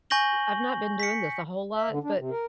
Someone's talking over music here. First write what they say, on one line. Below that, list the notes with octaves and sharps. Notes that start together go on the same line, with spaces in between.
I've not been doing this a whole lot, but
G#5 C#6 G6 A#6 F#7 G7
B6 C#7
E5
D3
D4
C3
A#4